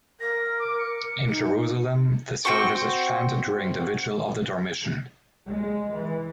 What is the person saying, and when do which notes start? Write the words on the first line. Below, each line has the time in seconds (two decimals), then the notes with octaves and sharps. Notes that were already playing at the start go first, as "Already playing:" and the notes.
In Jerusalem, the service is chanted during the Vigil of the Dormition.
0.20 A#4 A#6
0.60 D6
0.78 C#7
1.29 D#4
2.45 C4 F#4 G5 C#6
5.45 G#3
5.92 E3